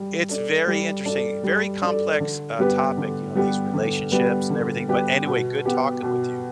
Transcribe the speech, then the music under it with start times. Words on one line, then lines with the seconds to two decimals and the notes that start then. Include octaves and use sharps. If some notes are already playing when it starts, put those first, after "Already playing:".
It's very interesting, very complex, uh, topic, you know, these relationships and everything. But anyway, good talking with you.
Already playing: G3
0.29 D4 A4
0.67 G3
1.06 D4 A4
1.44 G3
1.82 D4 A4
2.20 D3
2.59 G3 B3 G4 B4
2.97 D3
3.35 G3 B3 G4 B4
3.74 D3
4.12 G3 B3 G4 B4
4.50 D3
4.88 G3 B3 G4 B4
5.27 B2
5.65 B3 G4
6.03 B2